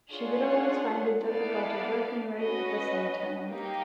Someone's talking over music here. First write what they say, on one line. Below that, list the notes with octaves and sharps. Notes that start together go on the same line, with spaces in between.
She would always find it difficult to work and write at the same time.
D4 F4 G#4 C#5 F#5
B3 E4 A4 D5 F5
C#4 F#4 B4 D#5
A#3 D#4 G4